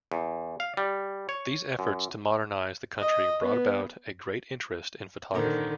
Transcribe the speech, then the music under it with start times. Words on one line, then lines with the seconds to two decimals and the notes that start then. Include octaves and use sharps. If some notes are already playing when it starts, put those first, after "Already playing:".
These efforts to modernize the country brought about a great interest in photography.
0.12 E2
0.60 F5
0.77 G3
1.29 C#5
1.79 F#2
3.00 D#5
3.43 B3
5.34 A#2 D3 D#3 A#4 C5